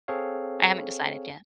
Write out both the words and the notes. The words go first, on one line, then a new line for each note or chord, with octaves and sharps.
I haven't decided yet.
C4 G#4 A4 C#5 F5